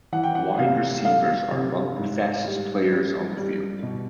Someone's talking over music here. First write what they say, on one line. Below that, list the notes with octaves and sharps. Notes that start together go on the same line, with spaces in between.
Wide receivers are among the fastest players on the field.
E3 F#5
G5
F#5
C3 F5
A3 F5
C3
G#2
G3
G3
G3
B2